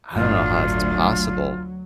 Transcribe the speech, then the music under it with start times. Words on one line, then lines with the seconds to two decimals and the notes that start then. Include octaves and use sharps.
I don't know how it's possible.
0.16 G1 D2 A2 F#3 F4